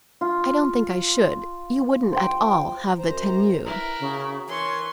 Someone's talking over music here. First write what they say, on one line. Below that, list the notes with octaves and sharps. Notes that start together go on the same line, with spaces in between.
"I don't think I should: you wouldn't at all have the tenue."
F4
C5 G5
F#2 C5 A#5
E4 A#4 B4
C#3 F#4
E3 A#4 C#5 C6 C#6